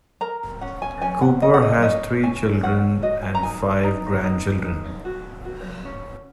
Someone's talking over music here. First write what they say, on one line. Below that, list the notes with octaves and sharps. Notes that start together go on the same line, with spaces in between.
Cooper has three children and five grandchildren.
A#4 A#5
C#4 F#5
G#5
C#4 G#5
F#5
A#4 D#5
F#5
D#5
C#4 D#5
C#4 G#5
C#4 F#5
F#4 D#5
G#5
A#5
D#4 G#5
D#4 A#5
D#4
D#4
F#4
F#4
C#4